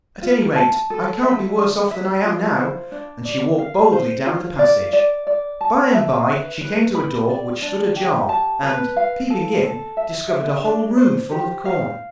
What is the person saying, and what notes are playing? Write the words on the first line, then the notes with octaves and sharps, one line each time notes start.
At any rate, I can't be worse off than I am now.' And she walked boldly down the passage. By-and-by she came to a door which stood ajar, and, peeping in, discovered a whole room full of corn.
F4
A5
A4
E5
D4
E5
F4
C5
D4
D5
F5
C5
F4
D5
D5
D5
A5
E5
B4
B4
B5
D5
D4
G4
A5
B4
F5
A4
A4
E5
E5
D4
C5
G4
F5